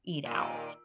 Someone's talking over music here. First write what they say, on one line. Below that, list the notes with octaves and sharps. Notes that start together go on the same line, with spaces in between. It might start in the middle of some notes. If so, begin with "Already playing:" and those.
eat out."
D#2 A#2 D#3 A#3